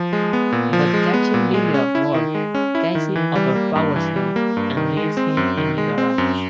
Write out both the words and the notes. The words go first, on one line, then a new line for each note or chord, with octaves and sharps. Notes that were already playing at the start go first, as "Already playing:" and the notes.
But catching Billy off guard, Casey overpowers him, and leaves him in the garage.
Already playing: F3
G#3
B3
A#2
F3
G#3
B3
A#2
G#3
C#4
E4
D#3
G#3
C#4
E4
D#3
E3
G3
A#3
G2
E3
G3
A#3
G2
D#3
G#3
C4
F#2
D#3
G#3
C4
F#2